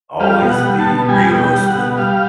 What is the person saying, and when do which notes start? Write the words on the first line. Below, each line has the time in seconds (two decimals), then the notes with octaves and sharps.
always the realist and
0.20 G3 F5
0.42 B2
0.50 F#5
0.64 G3
0.79 A5
0.87 B2
1.09 G3 G#5
1.30 B2
1.38 G5
1.53 G3
1.68 F#5
1.75 B2
1.97 G3 F5